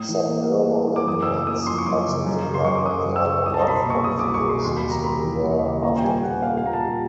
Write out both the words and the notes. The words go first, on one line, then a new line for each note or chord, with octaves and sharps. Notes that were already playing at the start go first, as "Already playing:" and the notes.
Subdermal implants are treated like many other body modifications in their aftercare.
Already playing: A2 D#6
E3
A#3
G3
A2
E3
D6
F#2 D#6
E6
C#3
D6
A#3 D#6
D6
F3 C6
C#6
F#2 D6
C#3
F#2
C#3
C6
F#2 C#6
D6
F#3 D#6
F#2
E6
C#3
C2 D#6
A5
A#5
B2 B5
C6
A#3
C#6
F#3 D#6
D6
C2
C#6
B2 C6
D#2 C6
B5
C#3
A#5
G3 B5
E3
D#2
C#3
A#2 A#5
G5
G3 G#5
A#2 F#5
A#3 F5
F5
A#2 A#5
A5
G3
A5